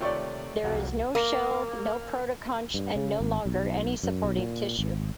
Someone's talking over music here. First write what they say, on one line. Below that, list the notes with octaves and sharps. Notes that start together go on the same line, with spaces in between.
There is no shell, no protoconch and no longer any supporting tissue.
C3 D#3 A3 F4 C#5 D5 G5 C#6
C2 F2 C3 A#3 F#4
A#3
G2
C#3
G#1
B1
F#2
B1
A#2
G#1